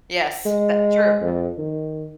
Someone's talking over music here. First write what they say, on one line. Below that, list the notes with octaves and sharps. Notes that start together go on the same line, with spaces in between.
Yes, that true.
G#3
F2
D#3